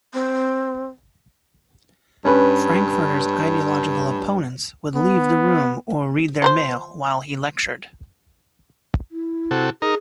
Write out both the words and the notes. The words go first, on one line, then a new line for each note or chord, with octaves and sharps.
Frankfurter's ideological opponents would leave the room or read their mail while he lectured.
C4
G2 C#4 B4
B3
F3 A#4 C5
E4
C3 F#4 A4
D#4 G#4 A#4